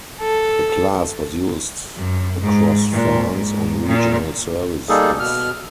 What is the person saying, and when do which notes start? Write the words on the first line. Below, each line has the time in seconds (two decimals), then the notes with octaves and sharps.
The class was used across France on regional services.
0.21 A4
1.97 F#2
2.41 G#2
2.92 A#2
3.32 G#2
3.85 A#2
4.89 G3 A#3 D#4 G#4 A4
5.20 B2 F6